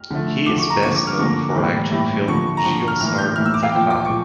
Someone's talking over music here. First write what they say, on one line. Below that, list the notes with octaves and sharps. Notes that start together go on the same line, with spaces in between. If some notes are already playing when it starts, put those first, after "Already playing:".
He is best known for action film Geo Sar Utha Kay.
Already playing: F6
D3 F3 A3
D3 F3 A3 D6
C#6
A#5
D3 F3 A#3 C#6
D6
F6
D3 F3 A#3 C#6
A2 E3 G3 A#3
A2 E3 G3 A#3
D3 F3 A#3 C#6
A#5
D3 F3 A#3 C#6
F6
A2 E3 A#3 F6
G6
A2 E3 A#3 F6
E6
D6
F5
A#2 F3 A#3 G5
D6
A#2 F3 C#6